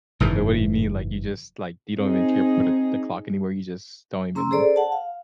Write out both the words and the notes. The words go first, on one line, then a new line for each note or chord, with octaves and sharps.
W what do you mean, like, you just, like, you don't even care put a the clock anywhere, you just don't even
F#1 G#2 E3
C4 D#4 G#4
C#4 A#5 C6 E6
G#4 A4 C5 D5
F#5 A5
F5